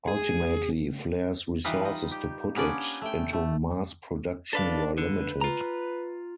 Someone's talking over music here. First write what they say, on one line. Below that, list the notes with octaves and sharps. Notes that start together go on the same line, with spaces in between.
Ultimately, Flare's resources to put it into mass production were limited.
G#4
E3 G3 D#4 F4 B4
D#4
G4
A#3 B3 C#4 D4 D5
A3 G5
A3
D4 A4 B4 F5
D3 B4
F4 A#5